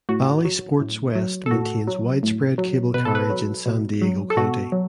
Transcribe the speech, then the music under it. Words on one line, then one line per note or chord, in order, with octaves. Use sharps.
Bally Sports West maintains widespread cable carriage in San Diego County.
A2 F#4
F#3
A2
F#3
A4
A2 F#4
F#3
A2
F#3
B2 B4
A4
B4
F#3
B2
F#3
A4
B2 F#4
F#3